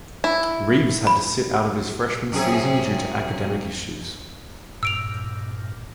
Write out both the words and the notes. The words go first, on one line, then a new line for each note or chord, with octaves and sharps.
Reeves had to sit out his freshman season due to academic issues.
E4
B5
F#2 C3 G#4
G2 A#2 E6 D7 F7